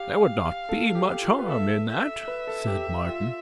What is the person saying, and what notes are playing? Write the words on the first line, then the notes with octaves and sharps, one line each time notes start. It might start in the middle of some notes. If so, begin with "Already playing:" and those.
"There would not be much harm in that," said Martin.
Already playing: G4 F5
A4
G4
F4
B4
A4 E5
E5
B4
A4
G4
G4
F4